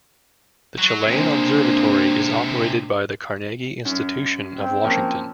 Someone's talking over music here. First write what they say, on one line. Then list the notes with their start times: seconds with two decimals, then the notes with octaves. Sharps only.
The Chilean observatory is operated by the Carnegie Institution of Washington.
0.78 F#3
1.07 C3 G#3 A#3 C4 D4
3.85 F#2
4.54 C4
4.84 F3 A#3 C#4